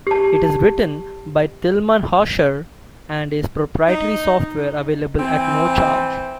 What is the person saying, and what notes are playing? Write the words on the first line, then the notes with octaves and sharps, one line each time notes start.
It is written by Tilman Hausherr and is proprietary software available at no charge.
G4 A5
D#4
E3 C4